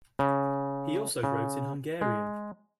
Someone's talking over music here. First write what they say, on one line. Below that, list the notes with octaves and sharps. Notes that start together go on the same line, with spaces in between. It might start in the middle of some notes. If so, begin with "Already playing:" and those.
He also wrote in Hungarian.
C#3
C#3
G#3